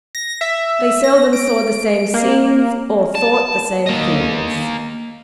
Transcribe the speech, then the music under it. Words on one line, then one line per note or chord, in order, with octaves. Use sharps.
They seldom saw the same scenes or thought the same things.
A#6
E5
A#6
D7
A#3
A5
A#3 D#5